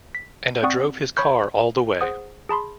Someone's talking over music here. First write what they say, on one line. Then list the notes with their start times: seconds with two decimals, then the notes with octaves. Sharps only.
And I drove his car all the way.
0.15 B6
0.63 C4 D5 F#5 C#6 D#6
1.17 C#5 B5 C#6 G6
2.01 G#4 C5 F#5 D#6
2.49 G#4 A5 B5 C6